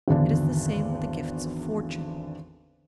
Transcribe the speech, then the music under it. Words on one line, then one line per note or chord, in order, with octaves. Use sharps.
It is the same with the gifts of fortune.
G#1 E2 D3 D4